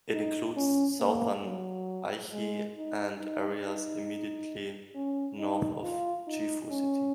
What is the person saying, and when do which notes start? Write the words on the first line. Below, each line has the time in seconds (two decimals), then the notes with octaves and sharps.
It includes southern Aichi and areas immediately north of Gifu City.
0.13 D#4
0.57 C#4
1.00 A#3
1.45 F#3
2.32 G#3
2.76 D#4
3.20 D#4
3.64 D#4
4.95 C#4
5.39 D#4
5.83 F4
6.27 D#4
6.71 C#4